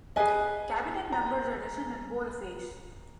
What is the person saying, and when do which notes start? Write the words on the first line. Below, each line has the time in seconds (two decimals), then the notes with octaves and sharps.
Cabinet members are listed in bold face.
0.16 G#4 B4 D#5 G#5
1.12 A#5